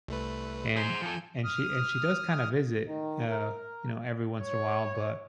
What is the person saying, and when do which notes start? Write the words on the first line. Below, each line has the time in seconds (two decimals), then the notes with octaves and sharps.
And and she and she does kinda visit, oh, you know, every once in a while, but,
0.08 C2 A3 B4
0.76 G#4 C5 G#5 G6
1.02 F3 A4
1.44 D#6 F6
2.85 D#3
3.29 A#4
4.42 C#5